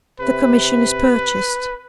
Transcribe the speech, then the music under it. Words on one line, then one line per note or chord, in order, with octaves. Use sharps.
The commission is purchased.
C3 B4